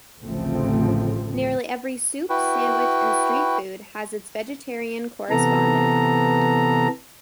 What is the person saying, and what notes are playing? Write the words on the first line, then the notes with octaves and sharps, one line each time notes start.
Nearly every soup, sandwich and streetfood has its vegetarian correspondent.
A1 D2 C#3 F3 A3 C4
E4 F#4 B4 G5
C3 E3 B3 A4 A#5